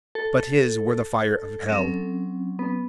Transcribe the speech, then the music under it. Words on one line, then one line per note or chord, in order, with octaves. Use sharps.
But his were the fire of hell.
A4
F#3 C4 C#4
B3